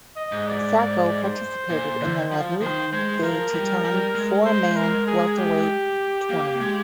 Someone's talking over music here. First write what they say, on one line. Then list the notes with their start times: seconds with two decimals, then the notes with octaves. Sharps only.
Sacko participated in the La Nuit des Titans four man welterweight tournament.
0.16 D#5
0.32 G#2
0.48 D5
0.78 D5
1.23 C5
1.70 A#2
2.01 D3
2.32 F3
2.62 D#3 C5
2.92 G#3 C5
3.23 F3 A#4
3.54 G3
3.84 G3
4.15 G#3
4.46 C5
4.76 A#4
5.07 G#4
5.38 G4
6.30 A#3
6.61 G#3